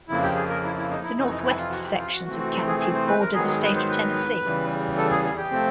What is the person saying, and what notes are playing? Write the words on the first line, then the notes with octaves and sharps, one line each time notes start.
The northwest sections of county border the State of Tennessee.
F2 C#3 F3 A#3 E4
G4
G#4
A#4
E4
E4
D#4
E4
F2 C3 E3 D#4
D#4
E4
F4
F#4
G4
F4
F#4
C3 E3 A3 C4 F#4
F#4
G4
G#4
G#4
C5
B4
A#4
G#2 D#3 F#3 B3 G#4
G#4
B4
C5
B4
E2 C#3 E3 G3
A4
G#4
G#4
G4
C3 F3 A3 C4